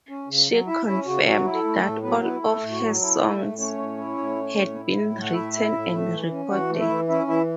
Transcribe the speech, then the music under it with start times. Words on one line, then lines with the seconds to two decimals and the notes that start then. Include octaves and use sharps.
She confirmed that all of her songs had been written and recorded.
0.09 C#4
0.28 C#3
0.48 F#3
0.67 E4 E5
0.86 C#4 E4 E5
1.05 C#3 F#4
1.25 F#3 F#4
1.44 E4
1.54 A4
1.64 A3
1.83 A2 A4
2.03 F#3 B3 B4
2.22 B3 E4 B4
2.42 A3 A4
2.62 A2
2.71 F#4
2.80 F#3
3.00 E4 A4
3.20 A3
3.39 A2
3.59 A3 C#4 C#5
3.78 A2
3.98 E4
4.18 A2
4.36 A3
4.56 A2
4.75 E4
4.95 A2
5.14 A3
5.22 F#5
5.33 A2 E4 E5
5.53 E4
5.72 A2
5.92 A3
6.12 E3
6.31 C#4
6.50 E3 F#4 F#5
6.70 A3
6.80 E4 E5
6.90 E3
7.09 C#4 E4 E5
7.28 E3 E4 E5